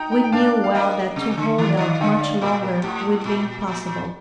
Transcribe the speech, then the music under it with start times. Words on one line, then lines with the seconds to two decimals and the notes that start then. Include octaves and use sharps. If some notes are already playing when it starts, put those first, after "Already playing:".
We knew well that to hold out much longer would be impossible.
Already playing: D#4 G5 A#5
0.12 G5 A#5
0.24 G5
0.32 D4 F5 A5
0.64 F5
0.75 A#3 D#5 G5
1.16 C3
1.38 D3
1.58 D#3
1.69 D5
1.79 D#3 D#5
1.90 F5
2.01 D3 D#5 G5
2.21 D5 F5
2.41 A#2 G4 A#4
2.62 G4 A#4
2.83 A2 G4
3.25 A#2
3.40 G4
3.67 A#2